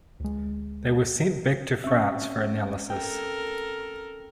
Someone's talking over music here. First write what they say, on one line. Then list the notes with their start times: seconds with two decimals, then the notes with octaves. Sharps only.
They were sent back to France for analysis.
0.20 D2 G#3
1.84 C4 C#4 E5 C#6
2.90 A4 A#4 G5